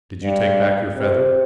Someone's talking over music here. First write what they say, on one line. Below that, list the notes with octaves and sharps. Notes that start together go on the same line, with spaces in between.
Did you take back your feather?
G2
C3